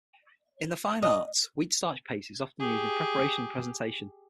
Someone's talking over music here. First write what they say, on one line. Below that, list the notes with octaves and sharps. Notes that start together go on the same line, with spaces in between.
In the fine arts, wheat starch paste is often used in preparation and presentation.
D#5
G4 G#4